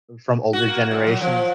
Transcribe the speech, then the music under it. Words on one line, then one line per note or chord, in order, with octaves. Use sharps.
from older generations,
F#4
A#3
A#2
F#3
F3